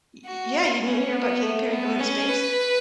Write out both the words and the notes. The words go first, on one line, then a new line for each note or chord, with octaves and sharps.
Y y yeah, you didn't hear about Katy Perry going to space?
F#4
C#4
B3
A3
B3
C#4
B4